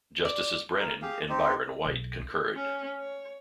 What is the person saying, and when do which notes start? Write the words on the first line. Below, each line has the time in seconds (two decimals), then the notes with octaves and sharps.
Justices Brennan and Byron White concurred.
0.25 D5
0.79 A#4
1.02 G4 G#4 F5
1.29 C4 D#4 G4
1.85 B1
2.56 C#4
2.99 C#5